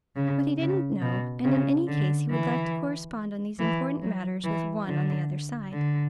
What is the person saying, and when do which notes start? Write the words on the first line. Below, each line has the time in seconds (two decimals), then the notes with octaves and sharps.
But he didn't know, and in any case he would like to correspond on these important matters with one on the other side.
0.16 C#3
0.59 C#3
1.01 B2
1.44 C#3
1.88 D3
2.30 E3
3.59 E3
4.01 F#3
4.44 E3
4.87 D3
5.72 D3